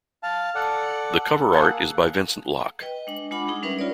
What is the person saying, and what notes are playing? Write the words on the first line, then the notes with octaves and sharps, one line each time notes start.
The cover art is by Vincent Locke.
F5 A5
A4 D5 F#5
A#3 G#4 A4 F#5
B4 D#5 G5
G#3 D4
G#3 D4 F4 F#5 B5 D6
D#4 G#4
G3 C#4 D4 A#4 B4 E5
F4 A#4 C#5 D5